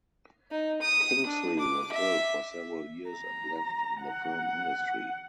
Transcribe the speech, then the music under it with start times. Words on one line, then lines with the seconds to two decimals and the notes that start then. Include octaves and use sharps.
Kingsley was ill for several years and left the film industry.
0.51 D#4
0.82 D#6
1.26 D4
1.59 D6
1.92 E5
3.10 A#5
4.03 F#5